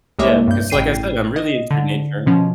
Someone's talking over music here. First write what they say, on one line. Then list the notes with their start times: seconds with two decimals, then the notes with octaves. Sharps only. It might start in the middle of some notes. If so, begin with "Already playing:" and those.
Yeah, because like, I said, I'm really into nature.
0.19 C2 G#3 A#3 C#5 E5 D6
0.47 G2 G6
0.70 A1 G5 C7 D#7
1.36 D#5
1.70 D3
2.27 B2 F3 C#4